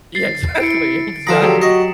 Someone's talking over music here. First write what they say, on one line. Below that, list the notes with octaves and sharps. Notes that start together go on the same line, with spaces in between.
Yeah, exactly. Exactly,
A6 C7
E4 C#7 D7
D3 F3 A#5 D#6 B6 E7
F#3 G4 G#4
F#4 D#5